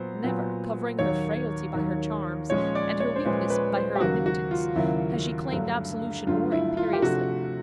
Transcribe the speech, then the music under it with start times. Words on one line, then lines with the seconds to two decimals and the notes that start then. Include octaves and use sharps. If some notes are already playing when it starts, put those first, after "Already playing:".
Never, covering her frailty by her charms, and her weakness by her omnipotence, has she claimed absolution more imperiously.
Already playing: A#2 F#3 B3 C5
0.23 A#2 F#3 B3
0.99 D#2 D#3 F#3 A#3 C#5
1.74 D#2 D#3 F#3 A#3
2.50 A#2 F3 G#3 C#4 C#5
2.75 D5
3.00 C#5
3.16 C5
3.25 A#2 F3 G#3 C#4 B4
3.50 B4
3.76 C5
3.95 G4
4.01 D#2 C#3 F#3 A#3 F#4
4.26 F#4
4.51 F4
4.76 D#2 C#3 F#3 A#3 E4
5.52 G2 D3 F#3 A3
6.27 G2 D3 F#3 A3 F4
6.52 E4
6.77 F4
6.93 G4
7.02 C3 F3 A3 D4 F#4